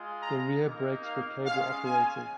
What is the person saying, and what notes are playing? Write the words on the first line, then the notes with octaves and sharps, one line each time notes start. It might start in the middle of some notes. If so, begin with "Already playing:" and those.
The rear brakes were cable-operated.
Already playing: G#3 F4
A#5
A#3 D#4
F5
G#3 C#4 F4 F5
G#5